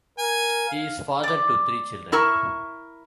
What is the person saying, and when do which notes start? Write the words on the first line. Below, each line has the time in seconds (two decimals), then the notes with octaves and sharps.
He is father to three children.
0.18 A#4 G#5
0.68 F5
1.24 D5 D6
2.12 E4 A#4 E5 C#6